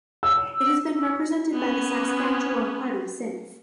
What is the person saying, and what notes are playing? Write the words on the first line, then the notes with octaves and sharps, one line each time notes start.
It has been represented by the Saskatchewan Party since.
E6
B3 C#4